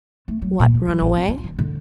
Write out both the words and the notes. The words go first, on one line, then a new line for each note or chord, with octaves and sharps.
"What, run away?"
A3
F#3
A#2
C#2
F#3
A1
C4
F4
D#3
D3